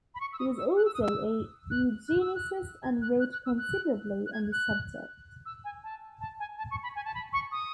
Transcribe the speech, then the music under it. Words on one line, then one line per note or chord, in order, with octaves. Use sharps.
He was also a eugenicist and wrote considerably on the subject.
B5
C#6
E6
D#6
E6
F#6
E6
D#6
E6
F#6
F#6
E6
F#6
G#6
F#6
F#6
F#6
E6
F#6
F#6
G#6
F#6
E6
G#5
A5
A5
G#5
A5
C#6
B5
G#5
A5
B5
C#6
D#6